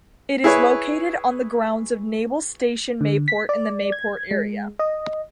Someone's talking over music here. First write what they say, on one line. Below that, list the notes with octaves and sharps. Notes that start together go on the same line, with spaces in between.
It is located on the grounds of Naval Station Mayport in the Mayport area.
E4 G#4 B4 C#5
D3
B6
D5
G#6
G#3
D#5